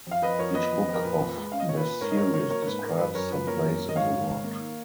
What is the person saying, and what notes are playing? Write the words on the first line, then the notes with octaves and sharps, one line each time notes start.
Each book of this series describes some place in the world.
F2 F5
F2 B4 D#5
F3 A#4 C#5
B3 B4 D#5
F2
F2
A#4
A#2 B4
A#2
G#3
C#4 F5
D#5
A#2 C#5
B4
A#2
G#2 A#4 C#5
D#5
G#2 A#4 C#5
F#3 A#4 C#5
A#3 A#4 C#5
C#5
G#2 B4
G#2 A#4
F#2 B4
B4
F#2 A#4 C#5
F3 B4
A#3 A#4 C#5
F#2
F#2
D#5
G#2 C#5 F5
G#2
D#3
A#3